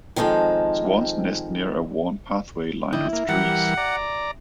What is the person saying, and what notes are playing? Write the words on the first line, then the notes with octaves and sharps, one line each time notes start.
Swans nest near a worn pathway lined with trees.
D#3 F3 G#3 C4 A4
D3 E4 D#5 G5
A#3
E3 G3 G4 A#4 F#5
D5 A#5